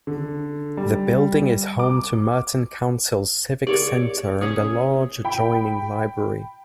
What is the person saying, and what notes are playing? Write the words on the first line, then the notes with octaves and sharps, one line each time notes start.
The building is home to Merton Council's Civic Centre and a large adjoining library.
D3
G3
D6
G4 G#4 A#4 C#5 D5
C#4 G#4 C#5 D#6
G5 B5